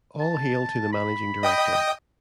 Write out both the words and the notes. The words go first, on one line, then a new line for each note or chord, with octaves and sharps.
All hail to the managing director!
A5
B5
D#5 G5 D#6